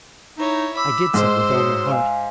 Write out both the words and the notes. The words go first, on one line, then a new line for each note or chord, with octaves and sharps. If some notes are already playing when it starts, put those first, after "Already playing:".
I did so with all my heart.
D#4 E4 C#5
B5 D6 E6
G#2 C5 C6
F#4 C#5 D#6
C5 F5 G#5